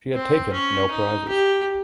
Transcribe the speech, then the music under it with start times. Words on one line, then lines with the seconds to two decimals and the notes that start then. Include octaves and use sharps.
She had taken no prizes.
0.14 C4
0.53 C#4
0.91 D#4
1.29 G4